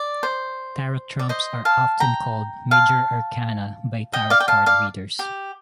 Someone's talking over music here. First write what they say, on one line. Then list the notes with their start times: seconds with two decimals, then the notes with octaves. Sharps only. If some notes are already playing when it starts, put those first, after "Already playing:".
Tarot trumps are often called Major Arcana by tarot card readers.
Already playing: D5
0.23 C5
1.19 D5
1.29 C5 D#5
1.65 F5 A5
2.00 G5 A#5
2.71 F5 A5
4.13 D#5 G5
4.30 D5 F5
4.40 G5
4.48 F5 A5
4.66 D5 F5
5.19 G4